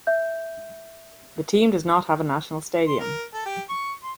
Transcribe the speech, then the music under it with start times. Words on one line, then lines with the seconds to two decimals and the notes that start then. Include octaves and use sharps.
The team does not have a national stadium.
0.07 E5 G6
2.87 C6
2.99 A#4
3.34 A4
3.45 G4
3.69 C#6
4.03 C6